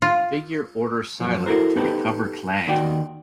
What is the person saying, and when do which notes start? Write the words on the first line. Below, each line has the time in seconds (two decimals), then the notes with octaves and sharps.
The figure orders Silik to recover Klaang.
0.02 F4
1.20 F#2 F3
1.46 E4 F#4 A4 A#4 C5
1.76 B3 D#4 G4 A4 B4 C5
2.67 D#2 D#3 F#4 D5 G5